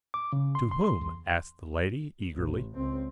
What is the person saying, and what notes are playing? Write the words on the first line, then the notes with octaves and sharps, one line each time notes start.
"To whom?" asked the lady, eagerly.
D6
C#3
C6
C6
C6
E2
A1
C#2 C4